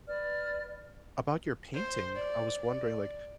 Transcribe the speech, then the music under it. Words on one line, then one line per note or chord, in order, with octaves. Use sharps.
about your painting, I was wondering, like,
B4 D5 F6
C5
D5
D5